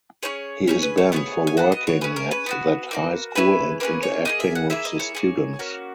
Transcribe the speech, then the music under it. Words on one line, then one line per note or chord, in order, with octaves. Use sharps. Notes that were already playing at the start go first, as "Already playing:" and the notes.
He is banned for working at that high school and interacting with the students.
C#4 E4 G#4 C#5
C#4 E4 G#4 C#5
B4
C#5
B3 E4 G#4 C#5
G#5
B3 F#4 F#5
D#5
C#5
C#4 G#4 B4
A#4
B4
B3 D#4 F#4
A#3 D#4 F#4
C#4 E4 G#4 B4
A#3 C#4 G#4 B4
C#5
A#3 D#4 G#4 D#5
E5
F#5
A#3 E4 G#4 E5
D#5
C#5
A#3 D#4 G#4
A#3 C#4 F#4